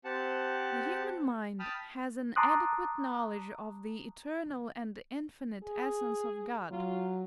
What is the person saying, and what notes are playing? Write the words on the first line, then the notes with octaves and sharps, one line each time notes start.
The human mind has an adequate knowledge of the eternal and infinite essence of God.
C4 G4 F#5 A5
G5 A5 B5 D#6 F6
A5 A#5 C6 D6 D#6 F#6
G#4
F#3 F4